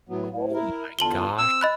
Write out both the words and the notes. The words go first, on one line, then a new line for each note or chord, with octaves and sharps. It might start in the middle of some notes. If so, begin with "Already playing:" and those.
Oh, my gosh.
A2 F#3 B3
A2
E4 A#4
E2 D3 F4 A5 F#7 G7
C4 E6
D#5 B5 F#6